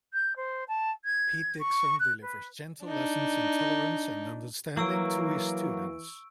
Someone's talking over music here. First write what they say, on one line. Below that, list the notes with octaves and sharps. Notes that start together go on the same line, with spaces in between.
Pete Dixon delivers gentle lessons in tolerance and understanding to his students.
G6
C5
A5
G#6
C#6
F#6
B4
D4 D#4
E3 F#3 A#3 C#6 E6 D7